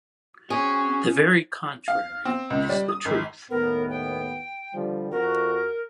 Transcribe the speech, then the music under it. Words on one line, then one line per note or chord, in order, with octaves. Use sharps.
The very contrary is the truth.
C4 C#4 F#4 G#4
F5
C4
C#2
G3
D#6
G#1
D#2 A2 B3 A#4
G5
D3 F3 G3
F2 F#4 A#4